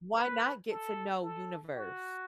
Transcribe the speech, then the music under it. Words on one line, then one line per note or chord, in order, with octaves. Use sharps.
why not get to know universe?
B4
A4
A4
F#4